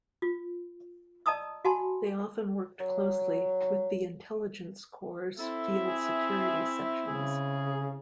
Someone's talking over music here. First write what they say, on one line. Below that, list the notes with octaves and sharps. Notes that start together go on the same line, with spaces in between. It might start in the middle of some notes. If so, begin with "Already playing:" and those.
They often worked closely with the Intelligence Corps' Field Security sections.
F4
D5 D#5 A5 A#5 D#6 E6
F#4 F#5 G#5 A5 B5 C6
F#3
C4 E4 A4 E5
G#4
C#3 G#4